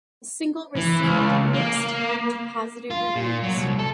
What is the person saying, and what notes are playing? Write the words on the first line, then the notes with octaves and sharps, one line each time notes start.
The single received mixed to positive reviews.
E3
C#2
A#3
F4
A#2
F#3
C2
A4